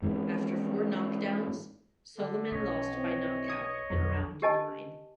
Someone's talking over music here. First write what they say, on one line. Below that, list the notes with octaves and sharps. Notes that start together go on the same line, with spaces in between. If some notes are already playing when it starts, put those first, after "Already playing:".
After four knockdowns, Soliman lost by knockout in round nine.
G#2 E3
D3
B1 C#4 C#5 D#5
E3 C4
D#6 G#6 C#7
B1 F2 F#3 B3
G4 A#4 D#5 G#5 A5